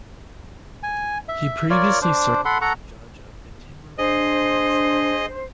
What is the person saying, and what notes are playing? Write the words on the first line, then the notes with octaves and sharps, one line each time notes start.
He previously served as a judge of the Timberville Municipal Court.
G#5
E5
F4 A#4 C#5 D5
D4 C5
A4 F#5 B5 C6
A4 F#5 A#5 C#6
D4 G#4 C5 D#5